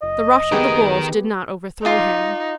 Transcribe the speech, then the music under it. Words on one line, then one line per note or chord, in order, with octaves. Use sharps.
The rush of the bulls did not overthrow him.
F#1 D#5
D#3 B3 G4 G#4 A#4
D#4 F4 D6